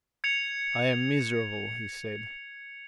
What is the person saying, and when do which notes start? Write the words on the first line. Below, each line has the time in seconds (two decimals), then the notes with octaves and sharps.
"I am miserable," he said.
0.24 G#6 C#7 F7